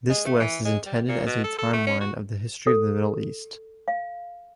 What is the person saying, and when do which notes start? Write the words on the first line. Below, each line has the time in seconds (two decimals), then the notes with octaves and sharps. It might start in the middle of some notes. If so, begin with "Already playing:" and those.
This list is intended as a timeline of the history of the Middle East.
0.10 G#3
0.26 A3
0.40 E3
0.65 G#3
0.86 G3
1.08 A#2
1.26 B2
1.44 A4
1.59 A4
1.73 A3
1.87 C#4
2.01 F#4
2.67 A4
3.88 F5